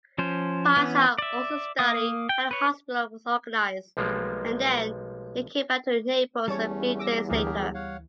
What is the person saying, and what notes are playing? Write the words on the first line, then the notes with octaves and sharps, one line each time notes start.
Piazza also studied how the hospital was organized, and then, he came back to Naples a few days later.
F3 C#4 C5
E3 B3 C#4
D5 E5
A#3 F5 D#6
G5
B4 C#5
B1 F3 G3 G#3 A#3
E2 G3 A3 C#4 C#5 A5
D6 E6 A#6
D2 E3 G4 G#4 A#4
C#5 F5 F#5